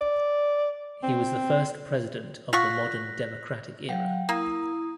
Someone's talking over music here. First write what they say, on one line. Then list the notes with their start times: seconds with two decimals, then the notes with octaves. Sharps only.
He was the first president of the modern democratic era.
0.01 D5
1.03 C4
2.53 F4 F#5 C#6 F#6 A#6 B6
3.89 F#3 F5 G5
4.29 A#3 E4 A#5 D#6